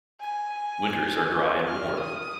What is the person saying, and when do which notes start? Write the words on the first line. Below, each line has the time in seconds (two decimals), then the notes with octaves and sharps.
Winters are dry and warm.
0.21 G#5
1.68 F6
1.97 D#6